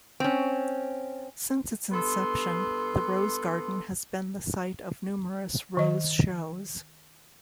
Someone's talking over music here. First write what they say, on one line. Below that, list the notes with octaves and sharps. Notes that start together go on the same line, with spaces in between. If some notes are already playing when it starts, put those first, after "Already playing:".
Since its inception, the Rose Garden has been the site of numerous rose shows.
C4 C#4
G2 B3 A4 C6
D#3 D#5